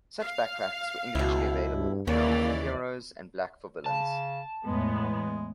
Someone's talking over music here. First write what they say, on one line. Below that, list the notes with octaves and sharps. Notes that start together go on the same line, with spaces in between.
Such backpacks were individually available - blue for heroes and black for villains.
F5
C#2 B2 E4
G2
D#2 C#3 E3 A#3 D5
C#3 A5
E2 A2 G#3 B3